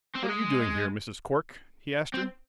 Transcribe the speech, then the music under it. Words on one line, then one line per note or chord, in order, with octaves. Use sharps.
"What are you doing here, Mrs. Cork?" he asked her.
C4
A#3
G#3
C4